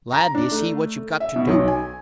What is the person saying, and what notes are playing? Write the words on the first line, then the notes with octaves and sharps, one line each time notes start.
"Lad, d'ye see what you've got to do?"
A#5
D4
A3
E5
B2
B1
G#5